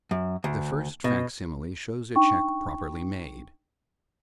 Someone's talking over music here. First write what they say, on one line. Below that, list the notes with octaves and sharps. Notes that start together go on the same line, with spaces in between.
The first facsimile shows a check properly made.
F#2
D2
B2
D4 D#4 G5 C#6